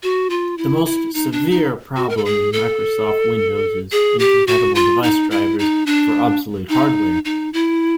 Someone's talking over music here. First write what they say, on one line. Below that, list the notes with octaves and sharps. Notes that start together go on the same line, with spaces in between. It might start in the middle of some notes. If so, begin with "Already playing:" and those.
The most severe problem in Microsoft Windows is incompatible device drivers for obsolete hardware.
F#4
F4
E4
E4
D#4
D4
D#4
F#4
A#4
A4
G#4
A4
G#4
G4
F#4
F4
D#4
E4
D#4
D4
D#4
D#4
E4